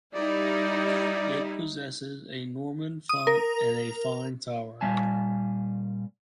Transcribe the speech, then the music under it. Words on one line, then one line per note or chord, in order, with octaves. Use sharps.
It possesses a Norman font and a fine tower.
G3 D#4 E4 D5
D#6
A#4
A#2 G3 E5 F5 G#5 A5